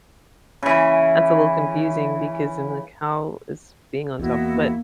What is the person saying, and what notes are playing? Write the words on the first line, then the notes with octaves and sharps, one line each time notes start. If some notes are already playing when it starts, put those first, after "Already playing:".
that's a little confusing because then the cow is being on top, but
C#3 E3
E2 A#3 E4 F#4 D#5